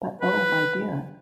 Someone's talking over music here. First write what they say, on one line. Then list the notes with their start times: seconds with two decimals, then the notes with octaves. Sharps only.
But oh, my dear!
0.21 B4